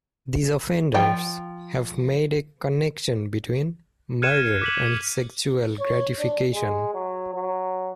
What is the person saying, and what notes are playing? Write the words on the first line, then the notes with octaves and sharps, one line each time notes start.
These offenders have made a connection between murder and sexual gratification.
F3 G5
F6 F#6 G#6 C#7 D#7 E7
D6 B6 F#7
C#5
D4
G#3
F#3
F#3